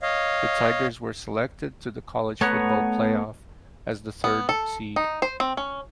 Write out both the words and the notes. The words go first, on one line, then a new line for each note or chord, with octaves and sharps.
The Tigers were selected to the College Football Playoff as the third seed.
C#5 D#5 F5
A3 B3 C#5 A#5
B3
A4
D#4
C5
C4
C#4